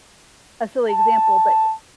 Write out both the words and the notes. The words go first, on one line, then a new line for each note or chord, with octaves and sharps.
a silly example, but
A5